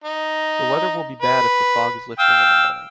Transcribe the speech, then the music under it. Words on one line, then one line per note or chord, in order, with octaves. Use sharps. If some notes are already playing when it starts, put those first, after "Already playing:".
The weather will be bad if the fog is lifting in the morning.
D#4
B4
F5 G5 E6